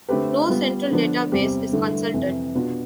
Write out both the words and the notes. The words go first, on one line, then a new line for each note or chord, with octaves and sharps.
No central database is consulted.
D3 A3 C4 G4 B4
G3 B3 F4
D3 F3 B3 D4
E2 C3 G3 C4 G4
G2 D3 A3 E4
F2 C3 E3
B2 B3 D4 F4